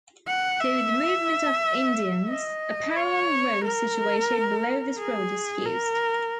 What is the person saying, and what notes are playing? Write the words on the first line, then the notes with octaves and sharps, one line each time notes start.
For the movement of Indians, a parallel road situated below this road was used.
F#5
E5
D#5
C#5
A#4
G#4
A#4